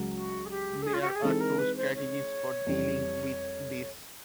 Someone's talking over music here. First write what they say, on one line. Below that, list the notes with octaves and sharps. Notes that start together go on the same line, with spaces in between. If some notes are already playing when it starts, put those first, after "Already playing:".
There are two strategies for dealing with this.
Already playing: C#2 C#3 F#3
F#4
G#4
G4
A4
G#4
F4
F#4
G4
G#4
E3 G#3 C4 D#4 A4
A#4
B4
C5
C#5
F2 C3 E3 G3 C4